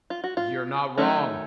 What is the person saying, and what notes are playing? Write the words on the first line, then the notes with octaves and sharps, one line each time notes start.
You're not wrong.
F4
F#4
F4
D#3 F#3 A3 C#4